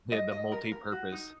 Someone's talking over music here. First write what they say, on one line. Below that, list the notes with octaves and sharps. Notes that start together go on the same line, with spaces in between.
Yeah, the multipurpose.
D#5
D#5
A#4
A#4
F#4
D#4